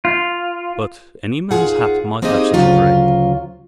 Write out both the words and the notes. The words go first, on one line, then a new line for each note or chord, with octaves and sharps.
But any man's hat might have such a break.
F4
D#2 F4 G#4 F#5
A#3 C4 D#4 G4 G#4 D#5
D2 C#3 F#3 F4